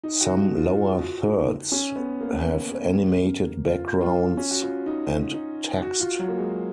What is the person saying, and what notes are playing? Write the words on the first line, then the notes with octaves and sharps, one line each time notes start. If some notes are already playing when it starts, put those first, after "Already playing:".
Some lower thirds have animated backgrounds and text.
D#4
F#4
F#4
F4
F4
F#4
D#4
C#4
B3
A#3
F4
F4
C#4
F#4
F4
D#4
D#4
F#4
F4
F#3
A#3
G#3